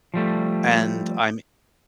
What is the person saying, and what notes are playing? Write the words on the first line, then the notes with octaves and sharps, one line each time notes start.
and I'm
F3 G3 A3